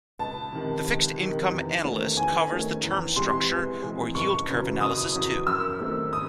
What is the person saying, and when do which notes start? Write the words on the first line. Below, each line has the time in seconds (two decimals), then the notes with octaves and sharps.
The Fixed Income Analyst covers the term structure or yield curve analysis too.
0.19 C#2 A5
0.53 C3 D#3
0.85 C#2
1.18 C3 D#3
1.51 E2
1.84 D#3 A3 C#4
2.17 E2 G#5
2.51 D#3 A3 C#4
2.83 E2
3.16 C3 E3 G#3 C6
3.49 E2
3.82 C3 E3 G#3
4.15 F#1 C#6
4.48 E2 C#3 F#3
4.81 F#1 D#6
5.14 E2 C#3 F#3
5.47 F#2 E6
5.80 D#3 A3 C4
6.13 D#6